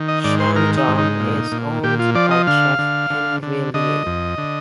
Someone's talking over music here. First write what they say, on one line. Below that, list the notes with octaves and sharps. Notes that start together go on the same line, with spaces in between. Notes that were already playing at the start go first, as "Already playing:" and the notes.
Shandong is owned by chef Henry Liu.
Already playing: D#3
D#5
G#2 D5
C5
D#3 A#4
D#4
G#2
D#4
A#2
A#2
A#2 G4
F4
F3 D5
D#5
D3 F5
D3
D3
D3
D3 D#5
F2
D3